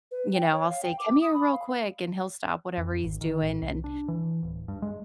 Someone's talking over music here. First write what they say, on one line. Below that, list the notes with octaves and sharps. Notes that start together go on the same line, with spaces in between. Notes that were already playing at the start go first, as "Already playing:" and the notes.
You know, I'll say, "Come here real quick," and he'll stop whatever he's doing, and
B4
G5
C#5
F5
G5
D6
D#6
B5
F5
F2
G#1
D#3
A1
C2
D4
E3
D1
G2
G#3